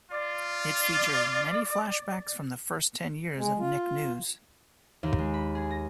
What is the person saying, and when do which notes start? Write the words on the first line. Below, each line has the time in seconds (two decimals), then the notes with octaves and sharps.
It featured many flashbacks from the first ten years of "Nick News".
0.10 F4 D5
3.37 G#3
3.59 F4
5.03 D#2
5.18 G#3
5.34 B5
5.55 G#4
5.71 A#6